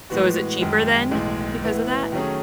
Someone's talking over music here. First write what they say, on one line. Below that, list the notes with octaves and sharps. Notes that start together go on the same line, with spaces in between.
So is it cheaper then because of that?
A2 E3 G#3 B3 F#4
F#2 D#3 G#3
B1 A2 E3 G#3
A2 E3 B3 E4
D#3 F#3 A3 C#4 G#4